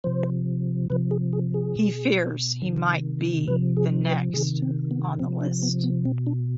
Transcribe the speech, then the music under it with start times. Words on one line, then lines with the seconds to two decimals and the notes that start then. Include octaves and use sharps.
He fears he might be the next on the list.
0.04 C3 F3 C5
0.90 C3 F3 B4
1.11 G#4
1.33 G#4
1.54 G#4
1.76 B2
2.62 C3 D#3
3.48 C3 F3 B4
3.77 G#4
4.05 B4
4.34 C3 D#3 G#4
4.62 C4
4.91 B3
5.19 C3 F3 C4
5.41 D4
5.63 B3
5.84 B3
6.05 B2 C4
6.27 D4